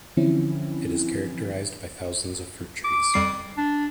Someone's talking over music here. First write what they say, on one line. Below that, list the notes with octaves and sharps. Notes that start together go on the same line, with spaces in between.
It is characterised by thousands of fruit-trees.
D3 E3 F3 C4 C#4 E4
D6
F2 G3 C7
D4